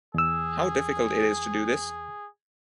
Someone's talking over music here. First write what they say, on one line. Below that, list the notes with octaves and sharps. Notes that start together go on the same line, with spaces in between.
How difficult it is to do this?
E2 G#4 E6